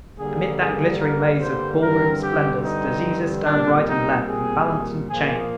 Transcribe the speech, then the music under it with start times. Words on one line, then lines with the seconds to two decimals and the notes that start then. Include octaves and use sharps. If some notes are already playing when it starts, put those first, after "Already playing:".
Amid that glittering maze of ball-room splendors, diseases stand right and left, and balance and chain.
0.19 G2 D3 G3 A#3 G#4
0.59 G#4
1.00 A#4
1.41 C5
1.82 G2 D3 G3 C4 A#4
2.22 G4
2.64 D#4
3.45 A#2 G3 C4 D4
3.87 D#4
4.27 G#4
5.09 A#2 F3 A#3 G#4